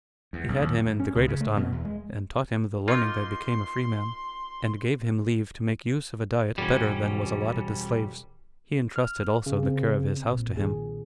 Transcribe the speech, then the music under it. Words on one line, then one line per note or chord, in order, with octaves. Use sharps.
He had him in the greatest honor, and taught him the learning that became a free man, and gave him leave to make use of a diet better than was allotted to slaves. He intrusted also the care of his house to him.
E2
B1
D#2
F#2
A2
C#4
C#2
C#3
A3
B2
E2
G#3
A#3 D#4 F4 C6
E1 G3 C#4 F#4 G#6
F6
C#3
C4
B1 A#2
D#3 G#4